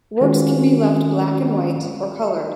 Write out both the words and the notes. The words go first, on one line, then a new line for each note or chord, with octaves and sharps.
Works can be left black and white, or colored.
D#3 G#3 C#4 F4 F#4